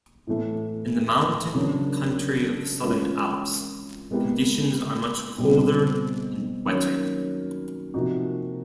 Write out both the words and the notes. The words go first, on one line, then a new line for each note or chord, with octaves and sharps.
In the mountain country of the Southern Alps, conditions are much colder and wetter.
A2 E3 A3
C#3 F#3 A#3 D4
E3 G#3 C#4 F4 A#4
G#3 B3 E4 G4 A#4
B2 G3 C4
D#3 F#3 A#3 C#4
C3 F3 A#3 D#4 F#4